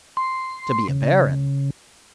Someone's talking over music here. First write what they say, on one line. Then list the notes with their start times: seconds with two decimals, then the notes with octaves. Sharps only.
"To be a baron."
0.17 C6
0.89 C#3